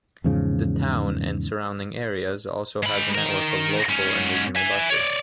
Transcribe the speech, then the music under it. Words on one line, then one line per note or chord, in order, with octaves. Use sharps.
The town and surrounding areas also has a network of local and regional buses.
E2 G#2 C#3 F3
G#3 B5
D#3 A#4
G#2 C#4
E5 G#5
C#5 D5